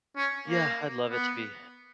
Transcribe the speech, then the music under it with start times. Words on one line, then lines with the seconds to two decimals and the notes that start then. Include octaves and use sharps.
Yeah, I'd love it to be
0.16 C#4
0.48 A#3
1.10 B3